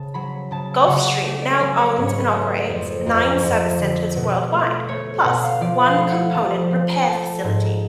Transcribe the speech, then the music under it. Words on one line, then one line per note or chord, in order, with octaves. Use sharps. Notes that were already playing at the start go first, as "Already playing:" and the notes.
Gulfstream now owns and operates nine service centers worldwide, plus one component repair facility.
Already playing: C#3 A5
F#3 B5
C#3 A5
C#3 F#5
A3 D5
D5
F#3 D5
C#5
G#2 B4
C#5
B4
A3
F2
F2
F2
D3
B2
A3
A3 C#5
B2 F#5
F5
F3 D5
F5
A3
F#5
F3 A5
F3
A3 A5
G#2